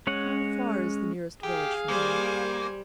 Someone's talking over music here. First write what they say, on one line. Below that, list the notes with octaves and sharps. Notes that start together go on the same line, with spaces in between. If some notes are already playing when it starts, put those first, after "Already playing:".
"How far is the nearest village from here?"
G#3 C#4 C#5 F#5
G4 G#4 F5
G3 A#3 C5 G#5